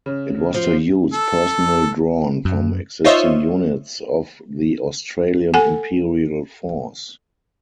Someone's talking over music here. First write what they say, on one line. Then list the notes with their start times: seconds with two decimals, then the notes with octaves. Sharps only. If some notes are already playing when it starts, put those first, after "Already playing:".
It was to use personnel drawn from existing units of the Australian Imperial Force.
0.06 C#3
0.54 F3
1.13 A4 E6
2.45 F#2
3.04 D#4 F4 C5 C#5 D#5 E5
5.54 A4 F#5 G#5